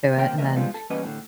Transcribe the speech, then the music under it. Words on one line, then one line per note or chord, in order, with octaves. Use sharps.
it, and then,
D#2 C3 A#3 C4 E4 G5
E2 F#3 A3 A#4 D#5 E5
F3 G3 G#3 B3 D4 F4
A4
E2 G3 A#3 C#4 B4 D#5
A2 D3